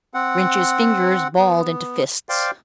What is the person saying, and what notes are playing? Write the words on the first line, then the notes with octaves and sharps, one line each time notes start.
Rynch's fingers balled into fists.
C4 F#5
B3
C5 D5 F5 G5